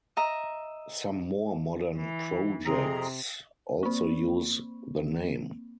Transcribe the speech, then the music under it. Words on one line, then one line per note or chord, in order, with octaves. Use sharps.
Some more modern projects also use the name.
D#5 E5 A#5
E3
F2 C3 G#4 A#5
A#3 C4